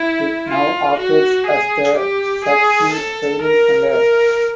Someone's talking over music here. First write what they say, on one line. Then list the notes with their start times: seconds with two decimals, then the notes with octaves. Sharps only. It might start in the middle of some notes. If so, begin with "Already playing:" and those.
It now operates as the Subsea Training Centre.
Already playing: E4
0.48 F4
0.98 F#4
1.46 G#4
1.95 G4
2.44 G#4
2.93 A4
3.42 A#4
3.90 A#4